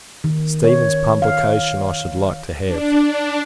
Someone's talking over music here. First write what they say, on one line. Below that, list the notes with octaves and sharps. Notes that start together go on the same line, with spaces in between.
Stephens's publication I should like to have.
D#3
C#5
F5
D4
D4